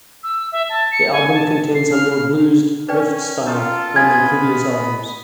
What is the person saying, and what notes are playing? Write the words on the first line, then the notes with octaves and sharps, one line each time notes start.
The album contains a more blused riffed style than their previous albums.
E6
E5
A5
C#7
G#5
A5
C7
F6
C#4 B4 D5 G5
C#4 F4 A4 A5 A#5 D#6
B3 D#5 G#5 B5 G#6